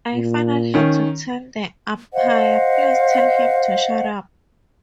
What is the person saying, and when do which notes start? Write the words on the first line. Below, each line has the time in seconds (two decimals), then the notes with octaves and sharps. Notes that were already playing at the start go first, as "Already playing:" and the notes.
I finally had to tell the umpire: 'Please tell him to shut up.
0.14 A#2
0.74 D#3 C#4
2.14 C5 D#5 F5 F#5